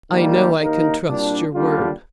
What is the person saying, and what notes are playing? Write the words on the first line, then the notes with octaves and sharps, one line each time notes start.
"I know I can trust your word."
D#3 G3 A#3
D#2 D#3 A#3 D#4 A#4
C2 A#2 G3 D4
D#2 D3 G3 D4 F4